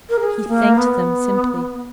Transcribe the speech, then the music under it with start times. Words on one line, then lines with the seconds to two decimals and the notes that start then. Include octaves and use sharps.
He thanked them simply.
0.10 A#4
0.21 G#4
0.48 A#3
0.76 B3